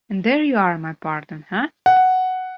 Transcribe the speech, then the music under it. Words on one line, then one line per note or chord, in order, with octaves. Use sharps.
And there you are, my partner, eh?
F#5